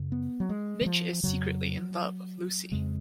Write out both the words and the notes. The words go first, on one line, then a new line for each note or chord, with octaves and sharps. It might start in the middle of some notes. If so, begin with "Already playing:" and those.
Mitch is secretly in love with Lucy.
Already playing: F#2 C#3
B3
F#3
G#3
D#3
F3
F2 C#3 F#3
F2 C#3 G#3